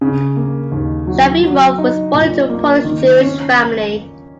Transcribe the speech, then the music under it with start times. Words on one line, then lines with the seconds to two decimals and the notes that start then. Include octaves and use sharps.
Shafirov was born into a Polish Jewish family.
0.01 C#3
0.37 A#3
0.72 D#2
1.07 F#3
1.43 F#3
1.78 D#4
2.14 A#2
2.50 A#3
2.84 D#3
3.20 C#4